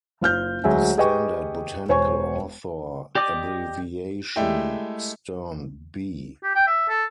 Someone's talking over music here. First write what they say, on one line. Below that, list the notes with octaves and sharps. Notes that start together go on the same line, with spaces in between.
The standard botanical author abbreviation Sternb.
F#1 F4 F6 G6
D2 F#3 G#3 E5 G#5
G4 G#4 B4 D#5 G5 C#6
E1 C5 C#5 G#5 C#6
G4 D5 D#5 D6
G#3 A3 E4 G4 D5 G5
G4
G5
E5
A4